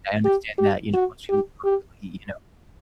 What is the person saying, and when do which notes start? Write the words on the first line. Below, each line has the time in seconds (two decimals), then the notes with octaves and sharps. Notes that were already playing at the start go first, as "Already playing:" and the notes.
I understand that, you know, most people aren't really, you know,
0.25 G4
0.58 G4
0.94 F#4
1.29 G4
1.65 G4